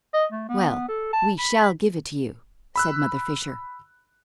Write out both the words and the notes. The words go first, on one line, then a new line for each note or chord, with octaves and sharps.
"Well, we shall give it to you," said Mother Fisher.
D#5
A3
B3
A4
A5
B5
B5 E6 F#6